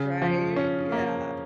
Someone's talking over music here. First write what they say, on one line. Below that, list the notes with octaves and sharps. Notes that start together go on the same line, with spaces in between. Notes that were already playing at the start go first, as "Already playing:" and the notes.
Right, yeah.
Already playing: C#3
F3
C#4
A#3